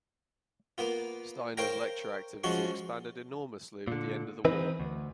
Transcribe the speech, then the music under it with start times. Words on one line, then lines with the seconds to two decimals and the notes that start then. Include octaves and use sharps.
Steiner's lecture activity expanded enormously with the end of the war.
0.78 A#3 B3 F4
1.57 A#4 C5 C#5 F5 G5 A#5
2.44 F3 G#3 C#4 F#4 C6 C#6
3.87 A#2 D3
4.45 E3 C4 D#4 B4
4.80 D2